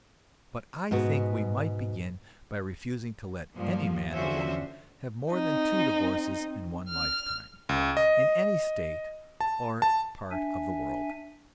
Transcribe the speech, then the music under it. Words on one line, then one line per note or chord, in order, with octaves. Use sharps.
But I think we might begin by refusing to let any man or woman have more than two divorces in one lifetime, in any state or part of the world.
G#2 B2 B3 F#4
G2 F3 A#3
D3 F3 C#4 F#4 C5 E5
C4 D#4
F6
C#2
D#5
A5
A5
D4 E5 G#5